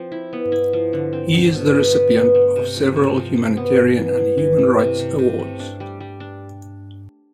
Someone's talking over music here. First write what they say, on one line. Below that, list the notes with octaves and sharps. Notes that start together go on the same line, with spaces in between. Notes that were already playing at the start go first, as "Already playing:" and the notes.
He is the recipient of several humanitarian and human rights awards.
Already playing: F3 C4
E4
B3
E4
F3
D3
C4
D3
B2
B4
B4
B3
A3
C3
F3
C3
F3
F3
B3
B3
E3
E3
E3
A3
C3
C3
C3
A3
D4
G3
G3
D4